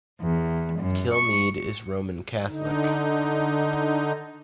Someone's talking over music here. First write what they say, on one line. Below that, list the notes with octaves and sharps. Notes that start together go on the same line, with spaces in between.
Kilmeade is Roman Catholic.
E2
F#2
C#6
D3 D#4